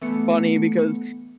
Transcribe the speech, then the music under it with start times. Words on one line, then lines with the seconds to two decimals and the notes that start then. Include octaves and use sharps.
funny because
0.01 E3 A3 B3 C#7